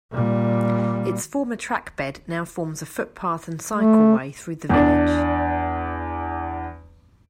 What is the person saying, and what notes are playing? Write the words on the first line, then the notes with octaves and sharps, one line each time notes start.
Its former trackbed now forms a footpath and cycleway through the village.
A#2 G3
A3
E2 D4